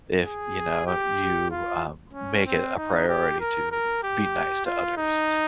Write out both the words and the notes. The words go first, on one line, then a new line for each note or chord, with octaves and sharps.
if, you know, you, um, make it a priority to be nice to others.
G#4
G4
F4
C#4
C4
D#4
G4
A#4
A#4
G4
F4
D#4